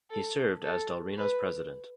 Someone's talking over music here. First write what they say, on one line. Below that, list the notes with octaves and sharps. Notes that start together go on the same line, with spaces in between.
He served as Delrina's President.
A4
A4
B4